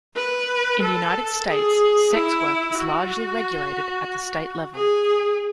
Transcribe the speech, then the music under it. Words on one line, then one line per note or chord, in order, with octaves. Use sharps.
In the United States sex work is largely regulated at the state level.
B4
A4
G#4
E4
F#4
G#4